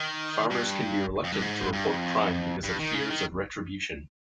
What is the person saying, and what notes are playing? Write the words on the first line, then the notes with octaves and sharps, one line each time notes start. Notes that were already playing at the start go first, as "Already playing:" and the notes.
Farmers can be reluctant to report crime because of fears of retribution.
Already playing: D#3
G2
F2
G2
G#2
G2
F2
G2
D#3
C#3
D#3